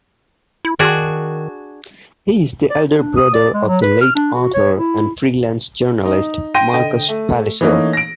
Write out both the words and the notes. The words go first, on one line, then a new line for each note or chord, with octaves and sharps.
He is the elder brother of the late author and freelance journalist Marcus Palliser.
E4
D#3 D4 F#4 G#4
D5
D4
D#6
D5
G#3
F#3
B4
F6
D4
F#4
C#5
E4
D#4
G5 C6 A#6 D#7
D3 D#5 G5
A3
E3 A3 A#3 C#4 D#4
A#6 D7